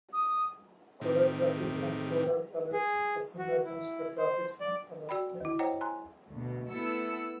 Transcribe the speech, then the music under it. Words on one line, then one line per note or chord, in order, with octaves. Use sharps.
"Coder graphics" and "coder palettes" are similar terms for graphics and color schemes.
D#6
A2 C3 D#3
G#4
F#4
E4
C5
D5
F#4 D5 G5 B5
D#2 E4
C5 C#5 D#5 F#5 G5 A#5
G#5 A#5 C6 F#6
D2 B2
A3 B3 E4 A4 E6 C#7